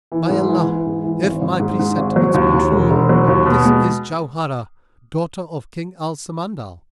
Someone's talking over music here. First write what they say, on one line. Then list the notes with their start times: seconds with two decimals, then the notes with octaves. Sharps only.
By Allah, if my presentiments be true, this is Jauharah, daughter of King Al-Samandal!
0.12 E3
0.29 G#2
0.49 E3
0.67 E3
0.86 G#2
1.04 E3
1.23 G#1
1.41 G#1
1.59 G#2
1.79 G#2
1.97 G#1
2.16 F#3
2.34 D#2
2.53 D#2
2.71 E1
2.90 E1
3.09 F#3
3.28 D#2
3.46 B2
3.65 G#3